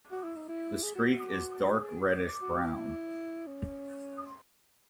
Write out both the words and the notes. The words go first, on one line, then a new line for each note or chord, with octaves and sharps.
The streak is dark reddish brown.
F#4
E4
D#4
E4
G#4
F#4
G#4
F#4
F#4
E4
C#4